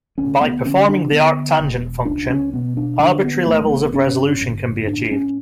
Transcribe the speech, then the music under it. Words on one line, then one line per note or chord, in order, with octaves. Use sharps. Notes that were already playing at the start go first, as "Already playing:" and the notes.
By performing the arctangent function, arbitrary levels of resolution can be achieved.
D2 C#4
B3
D3 C#4
D4
D3 B3
E1
C#2 D4
C#4
B2 B3
D4
D3 D4
B3
A1 A3
A3
B3
G1 C#4
G1
A2 D4
C#4